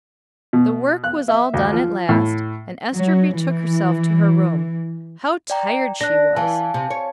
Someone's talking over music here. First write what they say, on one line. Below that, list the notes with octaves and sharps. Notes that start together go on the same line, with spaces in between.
The work was all done at last, and Ester betook herself to her room. How tired she was!
B2
F#6
E5
D2
F3
A2
F#3
E3
D5 G5 A#5
D4 F#6 A#6
E3 F5 G#5 A5
C3
C#5